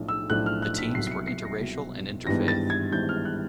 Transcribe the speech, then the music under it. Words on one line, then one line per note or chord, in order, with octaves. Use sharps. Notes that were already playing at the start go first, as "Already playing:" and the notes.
The teams were interracial and interfaith.
Already playing: B1 A2 F3 A3 D4
E6
B1 A2 F3 A3 D4 F#6
F6
F#6
B6
C2 B2 F#3 C7
C7
C#7
C7
A#6
C2 B2 F#3
G#1 G2 E3 G#3 B3 A#6
A6
G#6
G#1 G2 E3 G#3 B3 G6
F6
F#6